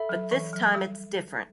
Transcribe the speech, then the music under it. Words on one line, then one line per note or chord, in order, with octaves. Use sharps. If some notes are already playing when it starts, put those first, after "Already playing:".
But this time, it's different.
Already playing: A4 E5 B5
F#3
E3
F#3
G3